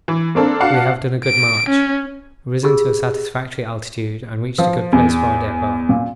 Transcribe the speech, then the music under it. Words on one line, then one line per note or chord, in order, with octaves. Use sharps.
We have done a good march, risen to a satisfactory altitude, and reached a good place for our depot.
E3
A#3 C4 D4 A4
D4 F#4 F5 F#5 A5
D7
C#4
F4 G4 G#4 E6
F3
E2
A#2